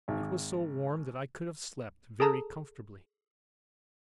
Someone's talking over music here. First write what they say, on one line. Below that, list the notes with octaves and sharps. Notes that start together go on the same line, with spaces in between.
It was so warm that I could have slept very comfortably.
G#1
G#4 A4 A5 A#5 D#6